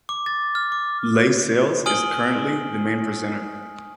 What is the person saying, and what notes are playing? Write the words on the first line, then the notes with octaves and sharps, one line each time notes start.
Leigh Sales is currently the main presenter.
D6
A6
F6
D6
G#5 D#6 F6 D7 F#7 G7